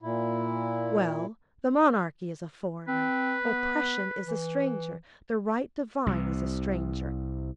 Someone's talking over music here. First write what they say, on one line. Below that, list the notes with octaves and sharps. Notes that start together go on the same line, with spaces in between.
Well, the monarchy is a foreigner; oppression is a stranger; the right divine is a stranger.
A#2 E4
C4 B4
B3
E3
C2 C3